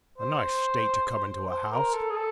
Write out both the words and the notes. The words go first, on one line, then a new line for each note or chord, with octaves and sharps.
A nice state to come into a house!
C5
C5
A#4
A4
G#4
A4